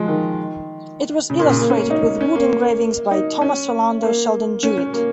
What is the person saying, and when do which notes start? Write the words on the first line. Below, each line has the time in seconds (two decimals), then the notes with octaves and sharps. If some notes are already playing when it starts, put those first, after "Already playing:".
It was illustrated with wood engravings by Thomas Orlando Sheldon Jewitt.
Already playing: F3 G#3
0.08 D#3
1.30 C#3
1.39 A#2
1.50 C#3
1.60 A#3
1.70 C#4
1.80 A#3
1.90 D#4
2.21 C#4
2.36 A#3
3.11 D#4
3.41 C#4
4.03 A#3
4.63 C#4
4.78 C#4
4.93 A#3